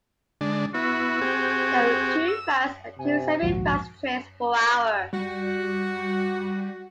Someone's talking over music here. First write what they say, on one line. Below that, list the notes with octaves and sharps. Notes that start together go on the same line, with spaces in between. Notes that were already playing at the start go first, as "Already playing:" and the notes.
There were two fast and two semi-fast trains per hour.
D3 G#3 D4
B3 E4 F#4
C4 G4 G#4
E6
C3 G#5
A#1 D#2 G#2 F3 F#4
G3 F#4